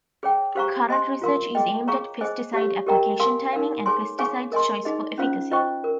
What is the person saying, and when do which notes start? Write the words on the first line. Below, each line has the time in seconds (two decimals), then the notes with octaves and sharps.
Current research is aimed at pesticide application timing, and pesticide choice for efficacy.
0.23 G#4 C#5 G5
0.55 G4 C5 F5 A#5 C#6
0.89 C5 D#5 G#5 C6
1.22 F4 A#4 F5 C6
1.55 G#4 D#5 G5
1.88 G#4 C#5 F5 A#5 C#6
2.21 G#4 C5 D#5 G#5
2.53 G4 C#5 F5
2.86 G4 A#4 D#5 G5 A#5
3.19 A#4 F5 G#5 C6
3.53 D#4 A#4 F5
3.86 G#4 C#5 G#5 C6
4.19 G#4 C#5 F5 G#5 C#6
4.52 A#4 D#5 G#5 C6
4.85 D#4 G#4 D#5
5.18 C#4 F4 C5 F5
5.51 F4 C5 D#5 G5 C#6
5.84 A#4